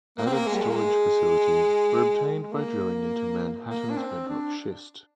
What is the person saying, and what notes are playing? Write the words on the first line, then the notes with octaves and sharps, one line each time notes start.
Added storage facilities were obtained by drilling into Manhattan's bedrock schist.
A#3
C4
A#3
G#3
G3
G#3
A#3
G#3
G#3
A#3
A#3
D4
C4
D4